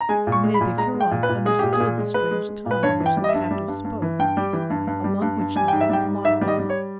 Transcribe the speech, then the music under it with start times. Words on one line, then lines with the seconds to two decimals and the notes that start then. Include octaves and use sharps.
Many of the Hurons understood the strange tongue in which the captive spoke, among which number was Magua.
0.01 A#5
0.09 G#3 G#5
0.27 A#2
0.32 C#6
0.44 G#3
0.54 B5
0.61 A#2
0.77 G#3 A#5
0.94 G#3
1.01 G5
1.11 A#2
1.23 B4
1.29 A#2
1.45 G#3 G#4
1.59 A#2 G4
1.73 G#4
1.80 A#2
1.98 G#3
2.14 G#3 B4
2.31 G#3
2.49 G#3
2.66 A#2 B4
2.83 G2 C#5
3.00 E3
3.06 G5
3.17 G3
3.24 D#5
3.29 E5
3.34 G2
3.51 G3
3.68 G2
3.85 G2
4.02 E3
4.19 G2 G5
4.37 G3
4.53 E3
4.70 G2
4.87 G2
5.04 G3
5.22 G2
5.39 G2
5.56 G3 G#5
5.68 G#2 G5
5.80 E5
5.89 G3 G5
6.07 G#2
6.24 G#2 E5
6.41 G3
6.48 D#5
6.59 G3
6.70 C#5